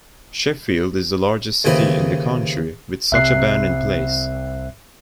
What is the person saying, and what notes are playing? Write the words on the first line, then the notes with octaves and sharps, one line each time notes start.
Sheffield is the largest city in the country with such a ban in place.
D#2 C#3 E3 C4 D#5 B5
C2 C3 E5 F#6 C7